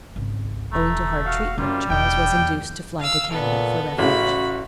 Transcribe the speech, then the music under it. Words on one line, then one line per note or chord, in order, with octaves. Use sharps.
Owing to hard treatment, Charles was induced to fly to Canada for refuge.
G#1 C#2
E1 A3 A#5
F#4 F5
F#2 G3 A#3 C4 F4
E1 D#4 D#5 G5
E2
F5 E6
A#2 B3 A4
A1 C#3 F#4 B5